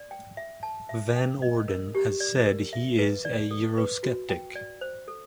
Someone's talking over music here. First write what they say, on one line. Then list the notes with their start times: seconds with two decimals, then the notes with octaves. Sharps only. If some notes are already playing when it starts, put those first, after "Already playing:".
Van Orden has said he is a eurosceptic.
Already playing: D5
0.11 G5
0.37 E5
0.63 A5
0.89 E5
1.15 G5
1.42 D#5
1.68 A#4
1.95 G4
2.20 D5
2.46 A#4
2.73 E5
2.99 B4
3.25 D5
3.51 A4
3.78 B4
4.03 F#4
4.29 G5
4.55 D5
4.81 C5
5.08 A4